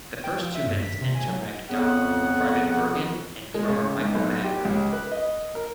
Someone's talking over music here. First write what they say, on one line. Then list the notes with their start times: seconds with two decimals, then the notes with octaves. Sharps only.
The first two men to enter Magdala were Private Bergin and Drummer Michael Magner.
0.24 G5
0.40 F3
0.55 E5
0.66 G2
0.83 B6
1.01 C3
1.15 G#5
1.28 F#3
1.70 F2 C#3 B3 F#5
3.54 G#3
3.68 C#3
3.99 G#2
4.15 B1
4.44 G4
4.65 C#2
4.93 B4
5.11 D#5
5.55 A#4